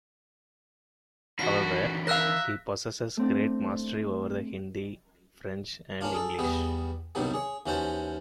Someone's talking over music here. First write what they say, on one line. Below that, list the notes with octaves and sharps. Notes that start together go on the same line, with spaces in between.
However, he possesses great mastery over the Hindi, French and English.
D#3 E3 D4 F#4 B6
A#4 E5 F5 E6 F#6 A#6
A3 C4 D4
A#3 C#4 D4 F4
G#4 A4
E2 G3 B3 G#4
C2 G2 B2 D#3 F#3 G3
G#4 C#5
D#2 E3 C#4 F#4 C5 A5